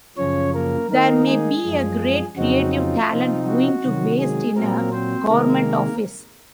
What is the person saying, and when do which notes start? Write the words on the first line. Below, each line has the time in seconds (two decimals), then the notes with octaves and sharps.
There may be a great creative talent going to waste in a government office.
0.17 F#2 C#3 F3 C#4 C#5
0.54 A#3 A#4
0.90 D#3 A#3 D#4 A#4
1.27 G#3 G#4
1.64 F#2 F3 G#3
2.37 F2 C#3 F#3 C4 D#4 F#4
2.73 F4
3.11 C3 F3 C4 D#4
3.47 F#4
3.83 C3 D#3 F#3
4.19 G#3 G#4
4.56 A#2 F#3 A#3 C4 A#4
4.92 C4 C5
5.29 C3 D#3 G#3 A#3 A#4